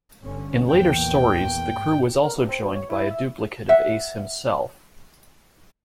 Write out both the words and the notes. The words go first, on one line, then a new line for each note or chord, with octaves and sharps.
In later stories, the crew was also joined by a duplicate of Ace himself.
G1 D3 C#4
A#1 E2 A#3 G5
G#2
A#4
G2
C4
B2
C#5
E4
E5
E5 F#5